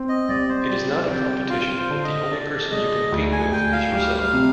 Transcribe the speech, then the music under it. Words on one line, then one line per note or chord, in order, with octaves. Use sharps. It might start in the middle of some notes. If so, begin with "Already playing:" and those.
It is not a competition, the only person you compete with is yourself.
Already playing: C4
D#5
C2 D5
C5
G3 D5
C3 G5
F4 F5
C5
D3
D#5
D4 D5
G#3 D#5
D2
G#5
D2 G5
F5
G3
C3